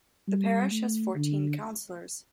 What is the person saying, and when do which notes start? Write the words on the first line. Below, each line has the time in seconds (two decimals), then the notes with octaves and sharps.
The parish has fourteen councillors.
0.28 G3
0.71 A3
1.15 D3